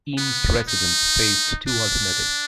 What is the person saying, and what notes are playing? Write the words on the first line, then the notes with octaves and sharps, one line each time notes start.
Eanes residents faced two alternatives.
B3
D#4
D4